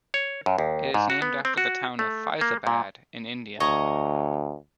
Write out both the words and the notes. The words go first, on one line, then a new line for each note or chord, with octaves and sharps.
It is named after the town of Faizabad in India.
C#5
F#2
D#2
G#2
F#4
B3
C4
F#4
A3
A#3
A#2
D2 C#5 D#5 A#5